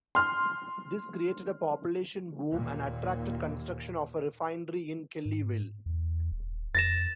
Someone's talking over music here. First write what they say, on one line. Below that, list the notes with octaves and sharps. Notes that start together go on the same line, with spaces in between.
This created a population boom and attracted construction of a refinery in Kellyville.
C6 F6
D#2 A#2
G#2
E2
D#1
F2 A6 A#6 E7